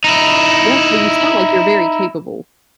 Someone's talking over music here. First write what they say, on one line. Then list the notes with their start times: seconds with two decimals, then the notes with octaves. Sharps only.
Yeah, so you sound like you're very capable.
0.04 D#4 E4